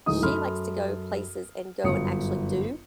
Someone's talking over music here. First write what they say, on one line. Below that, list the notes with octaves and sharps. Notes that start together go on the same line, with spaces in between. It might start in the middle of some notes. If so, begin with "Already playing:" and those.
she likes to go places and go and actually do.
D1 E3 G#3 D#4 D#5 D#6
F#2 A4 B5 C6 F6
G1 F#2 D#6 C#7